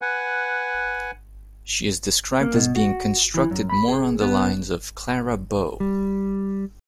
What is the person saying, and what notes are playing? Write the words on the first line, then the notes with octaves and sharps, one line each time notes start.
She is described as being constructed more on the lines of Clara Bow.
B4 F#5 G#5
A#3
B2
F#4
E3
F#2
B5
G#4
B3
G3